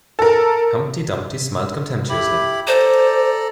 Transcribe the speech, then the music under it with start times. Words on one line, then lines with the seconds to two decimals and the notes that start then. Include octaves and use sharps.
Humpty Dumpty smiled contemptuously.
0.19 A4 A#4
2.09 E4 G4 B5
2.67 A4 C5 D5 A#5